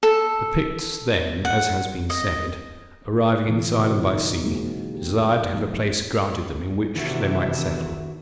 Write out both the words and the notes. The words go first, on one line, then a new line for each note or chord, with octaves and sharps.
The Picts then, as has been said, arriving in this island by sea, desired to have a place granted them in which they might settle.
A4
F#5
D#5
B2 D3 E3 E4
C#3 F4 F#4
D#4
F#3 G#3 A#3 C4 F#4 G#4
G4
F3 G#3 D#4
C3 D#3 E3 B3 D4 E4 F#4 E5